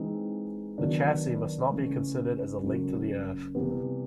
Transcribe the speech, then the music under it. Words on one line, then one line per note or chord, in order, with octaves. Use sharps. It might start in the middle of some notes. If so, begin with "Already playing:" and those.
The chassis must not be considered as a link to the Earth.
Already playing: E3 G#3 C4 D#4
D#3 F#3 B3 D4
C#3 E3 A3
F#2 C#3 F#3 A3
C3 E3 G3 B3